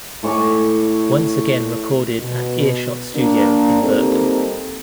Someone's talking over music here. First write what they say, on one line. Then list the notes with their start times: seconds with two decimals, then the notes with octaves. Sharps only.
Once again recorded at Earshot Studio in Bergen.
0.23 A2 C#5 C#6 D6
2.19 B2
3.14 A#3 D4
3.82 G3 A#3 C4 D#4 A4